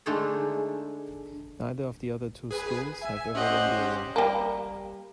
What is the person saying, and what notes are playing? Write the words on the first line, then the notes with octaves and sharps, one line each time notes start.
Neither of the other two schools have ever won the award.
D3 G#3 A3 D4 D#4 G#4
G#4 B4 G#5
E5 G#5
C#4 G4 C5 D#5 F#5
G3 A#3